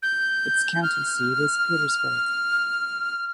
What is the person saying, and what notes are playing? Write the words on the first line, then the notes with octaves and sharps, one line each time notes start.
Its county seat is Petersburg.
G6
F6